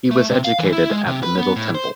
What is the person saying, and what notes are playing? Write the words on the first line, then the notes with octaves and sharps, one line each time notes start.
He was educated at the Middle Temple.
A3
C3
F5
E3
E4
G#3
C3
B4
B3
A2
C5